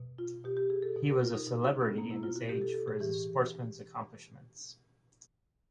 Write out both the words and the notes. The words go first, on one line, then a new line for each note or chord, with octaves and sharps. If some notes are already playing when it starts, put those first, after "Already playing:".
He was a celebrity in his age for his sportsman's accomplishments.
Already playing: B2
F4
B2 G4
G4
G#4
A4
B2
A#4
F4
D#4
B2
C#4
B3
B2 A#3
E4
F4
F#4
B2 G4
A4
A4
G#4
A2 E3 G4